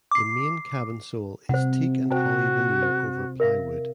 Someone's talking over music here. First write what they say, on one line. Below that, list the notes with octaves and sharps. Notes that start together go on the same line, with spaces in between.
The main cabin sole is teak and holly veneer over plywood.
D6 C7
C3 C5 F#5
F#4 C5 G5 A5
C5
A#4 E5 F5